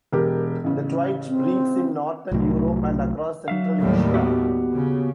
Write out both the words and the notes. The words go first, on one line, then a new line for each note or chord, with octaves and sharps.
The twite breeds in northern Europe and across central Asia.
E1 G4 A#4
A1 C#3
C4
C2 A2 F#3 A3
F#3 E5 F5
D#2 A2 G3
B3 F#4 G4
C#3